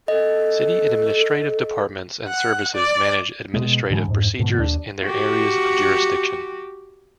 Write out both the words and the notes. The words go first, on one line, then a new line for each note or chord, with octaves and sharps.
City administrative departments and services manage administrative procedures in their areas of jurisdiction.
A4 D#5
F#5
D5
B2 G#3
G#2 D3 E3 G#3
F2 G#2
G#2 B2 D3
D#2 D4
F#4 G4